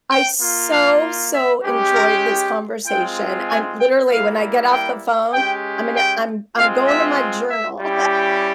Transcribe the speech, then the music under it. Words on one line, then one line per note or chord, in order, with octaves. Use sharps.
I so, so enjoyed this conversation. I'm literally, when I get off the phone, I'm gonna I'm I'm going to my journal.
G5
A#3 F4
F5
E5
G#3 C#4 G4
A#4
G5
G#3 C4 F4 G5
G#5
G5
G3 A#3 E4 F5
G5
G#3 C#4 G4 G5
G5
G#3 C4 F4 F5
E5
E5
G3 C#4 E4 G4
G5